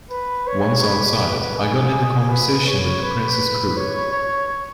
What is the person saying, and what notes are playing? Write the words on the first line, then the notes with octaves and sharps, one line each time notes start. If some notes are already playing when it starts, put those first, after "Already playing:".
Once outside I got into conversation with the Prince's crew.
B4
C#5
B4
G#4
B4
C#5
B4
C#5
C#5